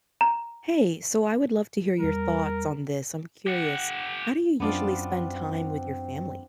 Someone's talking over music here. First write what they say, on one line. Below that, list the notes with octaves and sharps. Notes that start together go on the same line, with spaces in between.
Hey, so I would love to hear your thoughts on this, I'm curious, how do you usually spend time with your family?
A#5
E2 G3 A#4
G4 F#5
F#2 B3 C4 D4 F4